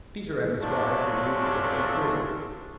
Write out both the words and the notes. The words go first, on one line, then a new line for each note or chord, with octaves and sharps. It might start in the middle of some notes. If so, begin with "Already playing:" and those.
Peter and his wife, who knew the game, agreed.
C3 F3 F#3 A3 C#4 D4